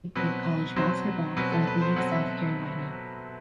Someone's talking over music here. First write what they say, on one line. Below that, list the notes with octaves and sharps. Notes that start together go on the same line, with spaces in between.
He played college basketball for the South Carolina.
B2 F#3 C4 B4
B2 F#3 C4 C5
B2 F#3 C4 B4
A4
B4
C5
B2 F#3 C4 F#5
E5